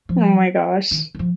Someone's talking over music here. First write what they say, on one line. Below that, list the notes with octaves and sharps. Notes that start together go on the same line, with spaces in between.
Oh my gosh.
F3
D#3
D#3
F3